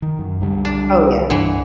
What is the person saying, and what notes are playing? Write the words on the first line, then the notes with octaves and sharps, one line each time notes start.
Oh, yeah.
D#3
F#2
C2 D3 G3
D4
C2 G2 D3 E3